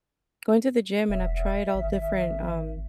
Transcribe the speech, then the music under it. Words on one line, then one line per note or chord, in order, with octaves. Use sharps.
going to the gym, and I've tried all different, um,
E1 E5
G#1